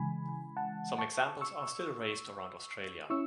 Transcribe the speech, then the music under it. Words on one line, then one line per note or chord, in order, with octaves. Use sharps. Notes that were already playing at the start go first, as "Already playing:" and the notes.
Some examples are still raced around Australia.
Already playing: C#3 E3 G#3 G#5 B5
F#5 A5
A5 C#6
C#6 E6
C#4 E4 C#6 E6